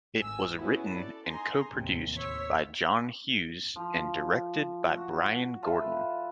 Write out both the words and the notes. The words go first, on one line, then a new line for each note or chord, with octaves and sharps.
It was written and co-produced by John Hughes and directed by Bryan Gordon.
G#1 G#2 G#5 E6
B3 C#4 E4 F#4 G#4 B4
A4 D5
D#4 G#5 A#5 C6
A1 D#2 C3
D#2 C5 C#5 E6 B6
F3
F#4
F4 A4 B4 E5